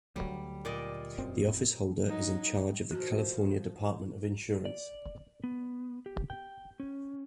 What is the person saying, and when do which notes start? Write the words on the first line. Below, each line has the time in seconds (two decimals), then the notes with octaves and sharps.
The officeholder is in charge of the California Department of Insurance.
0.16 D2 F#3 G3
0.65 A#2 D5 D#5
1.18 E1 F#2 C4
2.05 F#3 D#4
2.91 D#3 F3 F#4
4.65 D5
5.44 B3
6.06 G4
6.30 G5
6.80 C#4